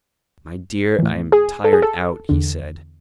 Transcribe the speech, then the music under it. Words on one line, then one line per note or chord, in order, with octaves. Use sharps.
"My dear, I am tired out," he said.
A2 E3
G#4
A4
G#4
A4
E2 D3